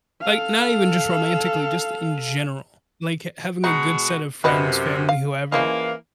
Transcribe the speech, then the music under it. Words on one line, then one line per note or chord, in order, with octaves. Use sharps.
Like, not even just romantically, just in general. Like, h having a good set of friends, family, whoever,
A4 F5
B2 G#3 D#4 F#4
F#2 C3 B3 B4 D#5
F5
C#3 E3 F3 A#3 D#5